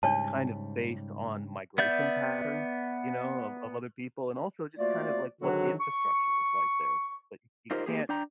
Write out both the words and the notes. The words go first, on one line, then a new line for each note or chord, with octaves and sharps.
kind of based on migration patterns, you know, of of other people, and also just kind of, like, what the infrastructure was like there. But y you can't
G#2 C#3 G3 D4 C#5 A5
B3 D5 E5 G6
F3 A3 A#3 F4 F#4 D5
G#2 D3 D#3 F#3 D4 F#4
C#6
D#4 F4 G4 A#4 C5 D#5
A#3 G4 G#4
D4 G5 A#5